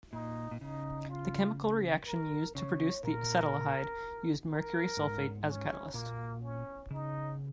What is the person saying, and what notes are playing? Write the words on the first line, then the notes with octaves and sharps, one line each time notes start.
The chemical reaction used to produce the acetaldehyde used mercury sulfate as a catalyst.
A#2 D#4
A#2
C#3 D#4
F4
A#4
C#3 C#5
A#2 A#4
A#4
G#2
C#4
A#2 A#3
C#4
C#3 D#4